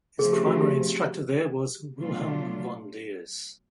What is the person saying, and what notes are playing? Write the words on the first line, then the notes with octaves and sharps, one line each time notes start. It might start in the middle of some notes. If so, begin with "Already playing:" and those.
His primary instructor there was Wilhelm von Diez.
C#3 F3 A3 C4 G#4
G4
F#4
G4
B2 F#3 A3 D4 F4